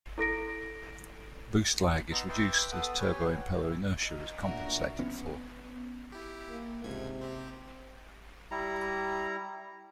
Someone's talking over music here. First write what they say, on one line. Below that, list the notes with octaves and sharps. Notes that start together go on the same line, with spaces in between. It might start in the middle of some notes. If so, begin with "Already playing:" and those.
Boost lag is reduced as turbo impeller inertia is compensated for.
E4 A4 A#6 D7
B3 D#4 A5 A#5 C6 E6
B4 E5 G5 C6 D6
B3 A4 F#5 D#6
G4 B4 C#5 G5 G#5
F#4
E4
D#4 A4 A#4
A1 A#2 A3 D4 E4 F#4 A#4
B3 C#4
E4 G4
A#3
C#2 G#2 C3 G#6
C4 G4
G3 E4 A#5